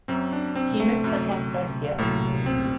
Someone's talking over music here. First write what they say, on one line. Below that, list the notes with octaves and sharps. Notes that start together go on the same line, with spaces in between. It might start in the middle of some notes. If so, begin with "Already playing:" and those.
He missed the cut both years.
F#2 F#3 C4
D4
C4
A3
F#2 F#3
A2 F#3 A#3
C4